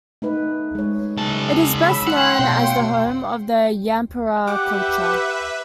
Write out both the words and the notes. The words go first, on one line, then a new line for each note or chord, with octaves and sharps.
It is best known as the home of the Yampara culture.
A3 D#4 B4
G#3 C#5
C#3 A5
B5 E6
F#5 G5 C6
B2 C#5 F5
G4 B4 E5 F#5 D6